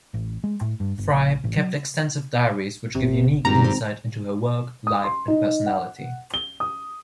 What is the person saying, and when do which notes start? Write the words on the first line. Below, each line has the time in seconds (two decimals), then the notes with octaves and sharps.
Fry kept extensive diaries which give unique insight into her work, life and personality.
0.14 A1
0.44 G#3
0.61 A2
0.80 G2
0.98 G1
1.12 A#1
1.44 A1
1.57 F#3
2.95 G1 C3
3.45 G#1 G2 A#2 A#5
3.64 C4
4.87 D#6
5.04 C6
5.28 D#4
5.66 F#5
6.34 G7
6.60 D#6